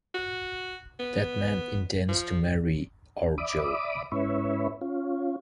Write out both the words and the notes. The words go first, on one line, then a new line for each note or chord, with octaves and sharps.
That man intends to marry our Jo!
F#4
B3
F3
D5 E5 B5 D6 D#6
G#2 C#4 E4 B4 C#5 E5
C#4 F4